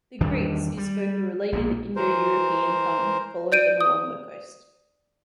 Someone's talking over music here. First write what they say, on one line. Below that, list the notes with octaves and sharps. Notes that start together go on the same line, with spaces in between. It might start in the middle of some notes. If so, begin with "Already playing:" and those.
The Greeks, who spoke a related Indo-European tongue, followed them along the coast.
E2 D#3 G3 D4
G3
A#1 B2 A#3
E3 A#4 C5
D5 G6 D7 D#7
D#6